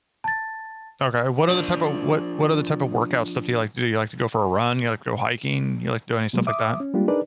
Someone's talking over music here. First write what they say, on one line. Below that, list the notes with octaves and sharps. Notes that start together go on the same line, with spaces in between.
Okay. What other type of what what other type of workout stuff do you like to do? You like to go for a run, you like to go hiking, you like doing stuff like that?
A5 A6
F3 D4
B2 F#3 G#3 A#3
E5 D6 D#6
C#4
G3 G#3 A#3 D4 F4 G4
D4 D#4 G#4 A#4 B4 D5